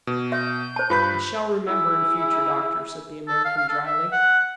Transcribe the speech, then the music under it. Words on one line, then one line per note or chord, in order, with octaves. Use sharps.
"I shall remember in future, doctor," said the American dryly.
B2
E5 G6
C5 A5
G2 F4 B4 B5 B6
E4 G#4 E6
A4
F5
F5
A4
E5
F#5